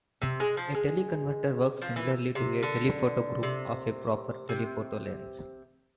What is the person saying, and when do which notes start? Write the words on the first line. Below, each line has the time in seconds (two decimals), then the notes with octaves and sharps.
A teleconverter works similarly to a "telephoto group" of a proper telephoto lens.
0.22 C3
0.40 G#3
0.57 F3
0.75 G#3
1.82 F3
1.96 E3
2.35 C3
2.63 D3
3.43 C3
4.49 C3